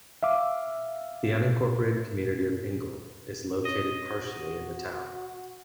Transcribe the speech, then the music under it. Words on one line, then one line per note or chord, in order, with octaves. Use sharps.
The unincorporated community of Ingle is located partially in the town.
E5 F5 D6
C#5 D#5
F#4